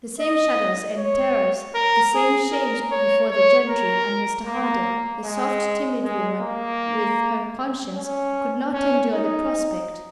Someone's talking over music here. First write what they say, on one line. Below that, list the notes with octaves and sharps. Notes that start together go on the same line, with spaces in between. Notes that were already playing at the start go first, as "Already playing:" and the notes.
The same shudders and terrors, the same shames before the gentry and Mr. Harden!--the soft, timid woman with her conscience could not endure the prospect.
D#5
C#5
A#4
G#4
A#4
C#5
C#5
A#4
A#3
G#3
G#3
A#3
C#4
C#4
D#4